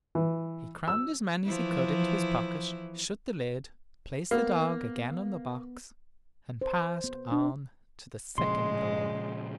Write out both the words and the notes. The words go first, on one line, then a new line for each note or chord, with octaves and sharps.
He crammed as many as he could into his pocket, shut the lid, placed the dog again on the box, and passed on to the second door.
E3
E6
E3 F3 E4
A#3 B3
C5
B3
D4
A#2 C#3 F3 G#3 C6